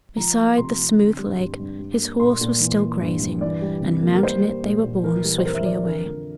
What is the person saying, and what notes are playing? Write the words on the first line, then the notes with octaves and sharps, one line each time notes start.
Beside the smooth lake his horse was still grazing, and mounting it, they were borne swiftly away.
F3 A#5
A3
C3 C6
C4
D3
G3
G2
G2
G3
A#3
A#2 C6
A#2
E3
A#3
G2
G2
E3 D5
G3
C3
A#3
A#4
G3 C5
A#3
A#2
A#2
E3 A#4
G3
C5
F2 A#4
E5
F2 D5
A#4
D3 A#4
F3